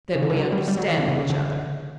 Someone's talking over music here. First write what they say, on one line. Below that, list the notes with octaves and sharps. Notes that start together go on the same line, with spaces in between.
"Then we understand each other."
C#3
D3
E3
F#3
G3
G3
F#3
E3
D3
C#3
C#3
D3